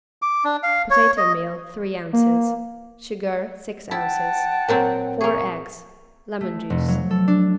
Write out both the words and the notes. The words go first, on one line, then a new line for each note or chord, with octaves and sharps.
Potato meal, three ounces. Sugar, six ounces. Four eggs. Lemon juice.
D6
D4
F5
C#5
D#5
A#3
E4 F#5 G5 A5
A#2 F#3 C4
A#3 G#4 C#6
A3
F1
F#3
A4
D4